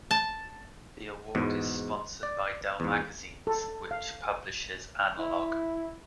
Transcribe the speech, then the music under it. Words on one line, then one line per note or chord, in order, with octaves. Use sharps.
The award is sponsored by Dell Magazines, which publishes "Analog".
A5
E2 G#2 B2
D5
E2 G#2
A4
F5
E4